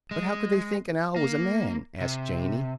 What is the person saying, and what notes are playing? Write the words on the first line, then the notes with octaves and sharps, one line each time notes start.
"But how could they think an owl was a man?" asked Janey.
G#3
A#3
C3